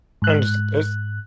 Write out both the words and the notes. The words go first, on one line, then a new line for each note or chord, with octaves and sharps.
And it's
G#2 F#6